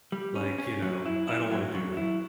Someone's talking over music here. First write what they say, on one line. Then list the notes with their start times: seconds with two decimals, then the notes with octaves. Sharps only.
like, you know, I don't wanna do that
0.12 G3
0.36 C#4
0.58 C#4
0.82 F#3
1.06 E4
1.28 E4
1.51 F#3
1.75 F#3
1.97 E4